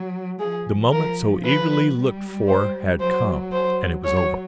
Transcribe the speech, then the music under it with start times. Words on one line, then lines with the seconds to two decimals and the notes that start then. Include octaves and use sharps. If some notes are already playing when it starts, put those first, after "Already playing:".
The moment so eagerly looked for had come, and it was over.
Already playing: F#3
0.39 F3 G#4
0.92 F3 A#4
1.45 B4
1.96 G3
2.47 C5
3.00 F#3 C5
3.52 C5
4.04 F#3 C#5